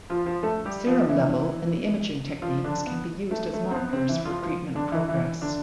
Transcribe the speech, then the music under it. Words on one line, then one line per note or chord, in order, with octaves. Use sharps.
Serum level and the imaging techniques can be used as markers for treatment progress.
F3 F4
F3 F4
A3 A4
G3 G4
F3 F4
E3 E4
F3 F4
D3 D4
B3
A3
A3
C4
B3
C3 C4
E3 E4
F3 F4
F3 F4
D3 D4
E3 E4
E3 E4
D3 D4